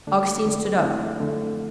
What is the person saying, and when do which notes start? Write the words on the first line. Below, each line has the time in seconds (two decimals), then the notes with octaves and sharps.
Augustine stood up.
0.07 F2 D3 A3 D4
0.45 F2 D3 A3
0.77 D4
0.82 F2 D3 A3 C4 E4
1.21 F2 D3 A3